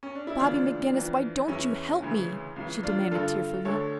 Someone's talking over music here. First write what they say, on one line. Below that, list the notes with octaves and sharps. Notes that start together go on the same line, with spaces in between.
"Bobby McGinnis, why don't you help me?" she demanded, tearfully.
C#4
D4
E4
D2 C#3 E3 D4 F4
F2 E3
E2 E3 C#4 E4
D2 C#3 E3
C#2 C#3 E3
D4 F4
G2 D3 F4 A4
D2 D3 A4 C#5